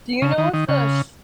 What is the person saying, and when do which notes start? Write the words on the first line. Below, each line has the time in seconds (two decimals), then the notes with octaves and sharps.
Do you know if the sh
0.22 C#3
0.38 D#3
0.54 D#3
0.69 C#3